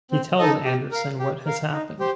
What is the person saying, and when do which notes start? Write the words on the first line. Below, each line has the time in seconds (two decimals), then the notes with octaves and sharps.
He tells Andreson what has happened.
0.11 C4
0.38 D#4 A4 D#5
0.65 G4
0.92 A#4 F5
1.19 G4
1.46 A#4 F5
1.72 D#4
1.99 G4 C5